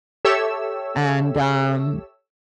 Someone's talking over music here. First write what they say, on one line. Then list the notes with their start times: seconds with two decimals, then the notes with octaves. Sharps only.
and, um
0.25 G4 A4 C#5 E5 E6